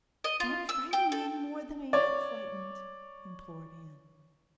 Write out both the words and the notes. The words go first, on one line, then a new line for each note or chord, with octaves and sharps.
"Don't frighten me any more than I am frightened," implored Anne.
D#5
F4
E6
G5
A4
C#5 D5